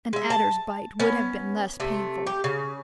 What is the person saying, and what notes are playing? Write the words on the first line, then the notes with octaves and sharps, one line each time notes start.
An adder's bite would have been less painful.
G#3 E5
A5
B3 C#4
C3 A3
G4
C#3